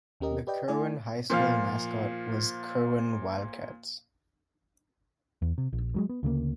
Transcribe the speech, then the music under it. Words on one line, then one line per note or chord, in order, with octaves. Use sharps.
The Kirwin High School mascot was Kirwin Wildcats.
D#2 C#4 G4 A#4 D#5
G4 B4 D5 D#5 G5
A3 E4 D5 G#5
A#2 F3 F5
E2
C3
A#1
G2 F#3 G#3
B3
D2 C#3 G#3 A#3